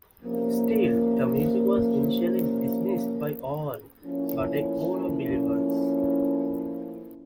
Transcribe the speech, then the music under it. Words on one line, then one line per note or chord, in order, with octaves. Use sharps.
Still, the music was initially dismissed by all but a core of believers.
E2 C3 F3 A#3 C#4
A2 F3 A#3 C#4 E4